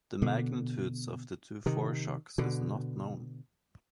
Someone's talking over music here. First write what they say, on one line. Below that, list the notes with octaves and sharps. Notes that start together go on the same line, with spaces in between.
The magnitudes of the two foreshocks is not known.
B2 D3
C3 D#3
B2 D3